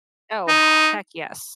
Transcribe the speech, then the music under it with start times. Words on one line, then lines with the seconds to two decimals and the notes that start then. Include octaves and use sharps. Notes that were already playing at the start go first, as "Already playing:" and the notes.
Oh, heck yes.
0.48 D#4